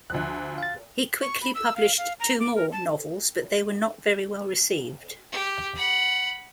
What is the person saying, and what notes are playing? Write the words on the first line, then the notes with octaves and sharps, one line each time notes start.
He quickly published two more novels, but they were not very well received.
D2 F3 F#6
F5 A6
C#6
B5
E6
F5
F5
A#5
D6
A#4
A5
G4
F#5 B5